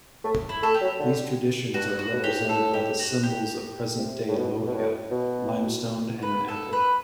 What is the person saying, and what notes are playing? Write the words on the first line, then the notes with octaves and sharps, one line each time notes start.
These traditions are represented by the symbols of present-day Lohja: limestone and an apple.
A3
E4
A3 A4
G4
F#3
D3
G2 F#4
F#4
B2
A2
G2 G4
A2
A2 A4
G4
F#4
G4
C3
A2
B2
B2
A2
B2
B4
A4
B4